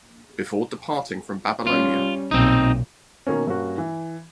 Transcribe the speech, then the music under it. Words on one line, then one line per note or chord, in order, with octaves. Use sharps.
Before departing from Babylonia.
G3 C#4 F4
B1 A#2 C4 D#4
B2 D#3 A#3 C#4
G2 A#3 C#4 F#4
E3